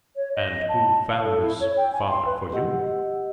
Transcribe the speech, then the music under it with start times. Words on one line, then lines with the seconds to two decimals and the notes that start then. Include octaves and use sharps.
"And who found this father for you?"
0.16 C#5
0.35 D#5
0.68 A5
1.08 F5
1.23 A4
1.41 E4
1.60 C#5
1.77 G5
1.93 G#5
2.08 C6
2.25 B4
2.52 G4 D#5 F#5 E6